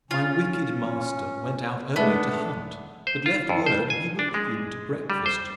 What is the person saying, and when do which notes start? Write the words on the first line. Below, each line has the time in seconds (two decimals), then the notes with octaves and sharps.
My wicked master went out early to hunt; but left word he would be in to breakfast.
0.11 C#4 F4
1.96 G#3 A3 B3 D4 A4 E5
3.07 C5
3.26 F4
3.49 F2
3.66 C5
3.90 G#5
4.19 D4
4.34 G#3
5.10 G3
5.26 C5